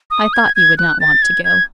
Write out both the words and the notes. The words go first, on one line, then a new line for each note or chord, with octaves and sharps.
I thought you would not want to go.
D#6
G#6
G#6
F#6
A6
G#6
G#6